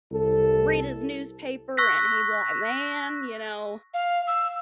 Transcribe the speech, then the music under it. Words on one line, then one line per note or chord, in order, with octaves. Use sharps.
read his newspaper and he'd be like, "Man, you know,
C2 A4
C#6 E6 F#6 A#6 B6
F5
E6